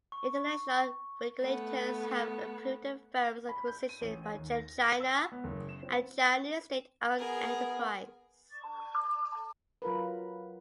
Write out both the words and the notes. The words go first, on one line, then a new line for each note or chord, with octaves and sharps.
International regulators have approved the firm's acquisition by ChemChina, a Chinese state-owned enterprise.
C#6
A3 B3
B5
G6
D#7
A1
D#2
A#6
E6
B3
F#1
E7
C4
B3 G#4 A#4
F#3 F4 A#4 B4